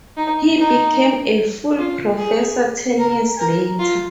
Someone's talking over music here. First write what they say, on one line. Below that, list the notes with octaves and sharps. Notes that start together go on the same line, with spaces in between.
He became a full professor ten years later.
D#4
D#4
F4
G#4
A#4
A#4
F4